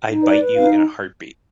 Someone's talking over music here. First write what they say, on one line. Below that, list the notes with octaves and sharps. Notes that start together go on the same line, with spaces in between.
I'd bite you in a heartbeat.
D#4
B4 D5
B4
D#4 F5